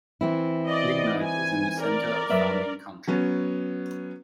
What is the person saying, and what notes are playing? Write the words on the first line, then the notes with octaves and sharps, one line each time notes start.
Lignite is in the center of farming country.
E3 C4 E4
D5 D#5
G#5
A#4 D5
F#2 B4 E5
F#3 B3 C#4